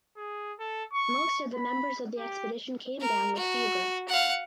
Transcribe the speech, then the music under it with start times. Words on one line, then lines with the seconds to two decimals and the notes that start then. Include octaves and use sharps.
Most of the members of the expedition came down with fever.
0.17 G#4
0.59 A4
0.94 C#6
1.55 B5
2.18 G4
3.00 A#4
3.36 F#4
4.08 F5 F#5